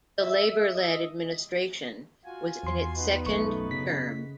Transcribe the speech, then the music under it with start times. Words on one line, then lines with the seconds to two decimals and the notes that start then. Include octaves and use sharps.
The Labour-led administration was in its second term.
0.21 E5
0.75 D#5
2.25 F4 F#4 G#5
2.63 E2 C6
2.96 B3 D#4 B4
3.26 B1 F#2 A3 C#6
3.71 C#3 B6